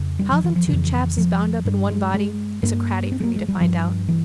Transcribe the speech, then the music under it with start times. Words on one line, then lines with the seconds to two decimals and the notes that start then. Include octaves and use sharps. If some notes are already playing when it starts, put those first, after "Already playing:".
How them two chaps is bound up in one body, is a craddy for me to find out.
Already playing: F2 C#3
0.19 G3
0.32 F3
0.44 E3
0.56 F3
0.68 F2 C#3 E3
1.18 F3
1.65 G2 G3
1.90 G#3
2.14 G#3
2.63 G2 A#3
3.12 C4
3.20 G#3
3.24 A#3
3.36 G#3
3.48 G3
3.61 G2 F3
4.08 E3